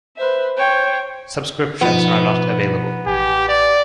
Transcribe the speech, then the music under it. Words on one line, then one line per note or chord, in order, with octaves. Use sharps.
Subscriptions are not available.
B4 C5 E5
C5 C#5 G5
B2 F3 B3 D#4
A1 G4 G#5
D5